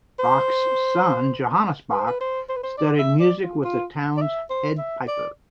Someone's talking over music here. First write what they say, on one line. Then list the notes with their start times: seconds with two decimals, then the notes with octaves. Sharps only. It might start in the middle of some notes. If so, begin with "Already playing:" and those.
Bach's son Johannes Bach studied music with the town's head piper.
0.19 C5
1.92 B4
2.00 C5
2.07 B4
2.21 C5
2.49 C5
2.57 B4
2.63 C5
2.78 D5
2.99 E5
3.20 D5
3.42 F4
3.64 F4
4.17 D5
4.22 E5
4.50 C5
4.78 E5
5.08 D5